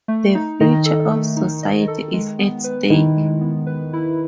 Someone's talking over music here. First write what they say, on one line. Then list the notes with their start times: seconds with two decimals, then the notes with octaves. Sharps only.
The future of society is at stake.
0.08 A3
0.35 D#4
0.61 D#3 D#5
0.86 A4
1.11 A3
1.37 D#4
1.63 D#5
1.88 A4
2.13 G#3
2.39 B3
2.64 B4
2.90 D#3 E4
3.17 G#3
3.41 B3
3.67 B4
3.93 E4